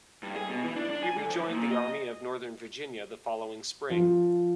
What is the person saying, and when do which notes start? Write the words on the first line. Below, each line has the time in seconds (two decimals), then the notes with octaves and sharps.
He rejoined the Army of Northern Virginia the following Spring.
0.23 G2
0.36 G#4
0.49 B2
0.63 E3
0.76 D4
0.90 D4
1.03 G#5
1.17 D3
1.30 F3
1.49 A#2
1.71 D#5
3.90 F3